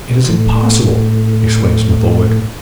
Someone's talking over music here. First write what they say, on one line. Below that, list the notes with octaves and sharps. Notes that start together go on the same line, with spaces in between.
"It is impossible!" exclaimed Smith-Oldwick.
A2